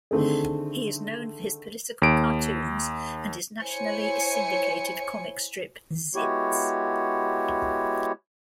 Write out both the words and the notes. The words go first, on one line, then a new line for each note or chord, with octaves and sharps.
He is known for his political cartoons and his nationally syndicated comic strip "Zits".
D3 D#3 A3 C4 G#4
D#2 D7
E4 C5 C#5 G#5 C#7
G#3 B3 E4 F#4 G4 C#5